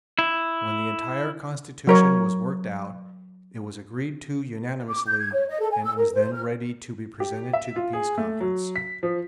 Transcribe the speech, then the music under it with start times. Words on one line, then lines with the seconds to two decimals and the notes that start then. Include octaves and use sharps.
When the entire constitution was worked out it was agreed to unanimously and it was then ready to be presented to the Peace Conference.
0.19 E4
1.87 F#3 A#4 C#5
4.89 D6
5.06 G6
5.19 G#6
5.33 C#5
5.48 D#5
5.60 A4
5.71 G#5
5.84 E6
5.97 A#4
6.14 C5
6.32 F6
7.20 G4
7.53 E5
7.76 F4
7.93 G#4
8.18 A3
8.40 F#3
8.76 B6
9.03 F3